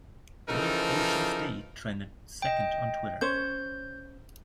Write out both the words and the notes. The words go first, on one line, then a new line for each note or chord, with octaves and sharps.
World Oceans Day trended second on Twitter.
C#3 E3 F3 D#4 A4 A#4
D#5 G5
C#4 C5 C#5 G6